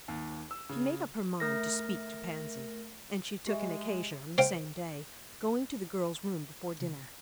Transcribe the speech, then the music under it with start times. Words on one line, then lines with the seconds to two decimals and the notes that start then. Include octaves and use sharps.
She made up her mind to speak to Pansy, and she took an occasion on the same day, going to the girl's room before dinner.
0.08 D#2
0.51 E6
0.69 C#3
1.40 A3 A#4 A#6
3.47 G#3 G4 E5
4.38 C5 F5 G5